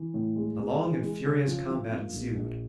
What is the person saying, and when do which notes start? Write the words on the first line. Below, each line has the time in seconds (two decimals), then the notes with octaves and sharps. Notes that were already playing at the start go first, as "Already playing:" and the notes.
A long and furious combat ensued.
Already playing: E3
0.14 A2
0.36 G#3
0.58 G#3
0.80 E3
1.02 G#3
1.25 C#3
1.47 F3
1.70 F3
1.91 A#3
2.13 A#1
2.35 A#1